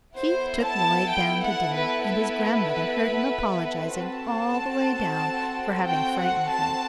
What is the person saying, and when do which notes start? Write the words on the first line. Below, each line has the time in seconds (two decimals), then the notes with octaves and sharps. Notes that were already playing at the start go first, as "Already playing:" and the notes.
Keith took Lloyd down to dinner, and his grandmother heard him apologising all the way down for having frightened her.
0.16 B3 E4 A4 C5
0.64 A5
1.10 G5
1.42 F#5
1.74 B4
2.05 B4
3.96 C4 F#4 A4 A5
5.86 G5
6.17 F#5
6.49 A5